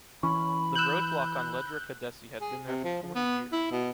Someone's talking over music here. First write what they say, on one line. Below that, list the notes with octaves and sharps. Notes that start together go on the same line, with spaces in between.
The road block on Ledra Caddesi had been there for forty years.
E3 C#4 B5 C#6
E6 F#6 G6 E7 F#7
G#4
C3
F3
F3
B3
E4
B2